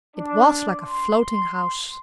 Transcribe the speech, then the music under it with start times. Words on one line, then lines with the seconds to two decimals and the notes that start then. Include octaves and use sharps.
It was like a floating house.
0.17 D4
0.83 C6